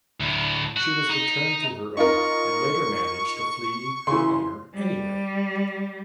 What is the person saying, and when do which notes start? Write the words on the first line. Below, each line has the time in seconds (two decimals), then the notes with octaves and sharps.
She was returned to her owner and later managed to flee her owner anyway.
0.20 D2 A2
0.77 F#4
1.10 D#4
1.97 D#4 F4 A#4 C#6
4.07 C#3 E3 C6
4.74 G3